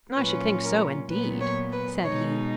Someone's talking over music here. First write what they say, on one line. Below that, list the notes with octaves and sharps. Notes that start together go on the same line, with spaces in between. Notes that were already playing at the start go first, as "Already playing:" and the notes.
"I should think so, indeed," said he.
A#2 F#3 C#4 F4 B4
A#4
A#2 F#3 B3 B4
C#5
B4
B2 G#3 D#4 C#5